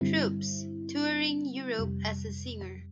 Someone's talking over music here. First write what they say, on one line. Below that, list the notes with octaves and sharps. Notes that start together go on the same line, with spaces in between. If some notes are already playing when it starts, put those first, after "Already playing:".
Troops, touring Europe as a singer.
G2 D3 G3 C4 E4
F2 C3 G3